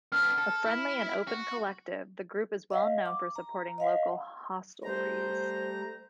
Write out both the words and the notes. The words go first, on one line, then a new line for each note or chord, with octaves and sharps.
A friendly and open collective, the group is well known for supporting local hostelries.
B3 D4 F6
A4
E4
F#4
D#5 F5 F#5
D6
A#5
D#5 F5 F#5
G3 A3 C5 A#5